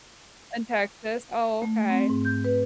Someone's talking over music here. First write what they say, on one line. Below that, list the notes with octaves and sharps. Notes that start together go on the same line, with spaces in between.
in Texas? Oh, okay.
A3
C4
G#2
G6
B4